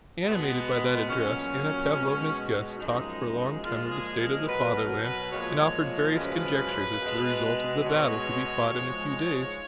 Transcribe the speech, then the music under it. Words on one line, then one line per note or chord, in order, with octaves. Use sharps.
Animated by that address Anna Pavlovna's guests talked for a long time of the state of the fatherland and offered various conjectures as to the result of the battle to be fought in a few days.
B2 G#3 B3
A#2 F#3 C#4
B2 G#3
F#2 F3 G#3 D#4
A#2 F3 G#3 F4
G#4
A#4
B2 F#3 B4
A#4
B4
A#2 F3 G#3 C#5
F#2 C#3 F3 G#3 B4
B2 G#3
B2 G#3 C#5
G#2 F3 G#3